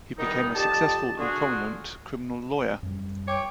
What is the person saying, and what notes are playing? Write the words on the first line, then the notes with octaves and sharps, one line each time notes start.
He became a successful and prominent criminal lawyer.
C2 D#3 G3 B3 D#4
F2 G4 D5 D#5 A5
D3 F4 F#4 G#4
F#2 G3
C#5 G5 D6